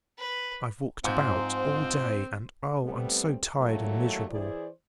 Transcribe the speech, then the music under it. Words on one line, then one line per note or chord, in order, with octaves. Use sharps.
I've walked about--all day--and oh, I'm so tired and miserable!
B4
G#2 F3 C4 C5
G3 A3 B3 C4
D#2 A#2 F#3 A3
E3 E4 G#4 C5 D5